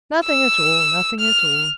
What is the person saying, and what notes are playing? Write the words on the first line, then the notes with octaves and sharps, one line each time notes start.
"Nothing at all,--nothing at all."
E6
F6